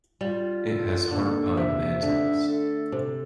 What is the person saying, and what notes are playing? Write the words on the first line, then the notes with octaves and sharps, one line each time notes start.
It has heart pine mantels.
G3 F4
A4
D3 A#3
C3 E5
D3 A3
A4
C3 A4